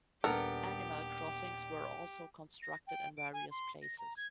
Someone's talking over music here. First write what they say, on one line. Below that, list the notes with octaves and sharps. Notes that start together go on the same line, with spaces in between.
Animal crossings were also constructed in various places.
D#1 B3 D4 G4 A4 A#4
A#6
G5
D7
G#5
C6
A#6
A#5
G#6